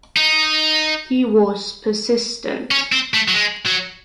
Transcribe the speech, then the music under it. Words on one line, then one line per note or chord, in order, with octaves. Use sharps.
He was persistent.
D#4
C#4
C4
A3
F#3
G#3
F#3